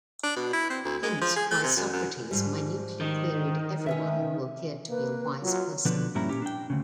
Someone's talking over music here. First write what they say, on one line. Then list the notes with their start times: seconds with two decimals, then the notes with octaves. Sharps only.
Hence why Socrates minutely queried everyone who appeared to be a wise person.
0.24 D4
0.36 B2
0.53 E4
0.70 C4
0.85 D2
1.03 G#3
1.21 F3
1.36 G#4
1.51 A3
1.64 C3
1.77 F#2
1.93 F#2
2.31 G#2 F3 G3
3.01 D#3
3.86 C#4 B4 E5
4.89 A#3 B4
5.42 F#3 F4
5.85 B2 D3 F3 D4 B4
6.15 G2 A#2 C#4 E4 G4 A#5
6.29 A#2 C#4 G4
6.42 D4 G5
6.70 D2 C#3